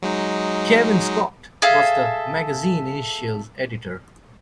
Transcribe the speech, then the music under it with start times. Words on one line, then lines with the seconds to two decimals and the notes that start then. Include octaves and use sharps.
Cavan Scott was the magazine's initial editor.
0.02 F#3 G#3 D#4
1.62 G#4 A4 E5 F5